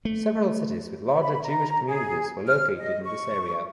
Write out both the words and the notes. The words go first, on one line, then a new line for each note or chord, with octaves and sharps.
Several cities with larger Jewish communities were located in this area.
A3
B5
A#5
G#4
F6
D#5
C#6